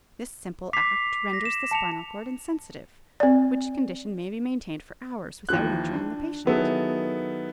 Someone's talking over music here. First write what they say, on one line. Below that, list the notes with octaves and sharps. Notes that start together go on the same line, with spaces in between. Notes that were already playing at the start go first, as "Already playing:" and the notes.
This simple act renders the spinal cord insensitive, which condition may be maintained for hours without injuring the patient.
D6 B6 C7 F7
A#6
E7
A5 C#7 F7
C4 D5
D#2 E3 F3 F#6
D4
D#3 F#3 B3 E4 G#4 A4